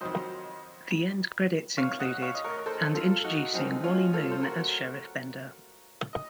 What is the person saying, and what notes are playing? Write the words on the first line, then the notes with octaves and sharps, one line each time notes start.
The end credits included: And Introducing Wally Moon as Sheriff Bender.
F2 D#3 F#3 C5 D#5
C#5 F5
D#5 F#5
C#5 F5
D#5
A#4 C#5
A4 C5
F4 A4
D#4 F#4
F#2 F3 C4 D#4
C#4 F4
F4 A4
C5
F#4 A#4
D#5